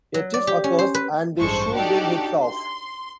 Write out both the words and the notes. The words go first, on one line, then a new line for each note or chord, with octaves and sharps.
A tiff occurs, and they shoot their heads off.
F#3
D5
G4
C#4
C5
B4
A1 G2 G#3 A4 C5 C#6
D4 D#4 F#4 G4 A4 D5
C6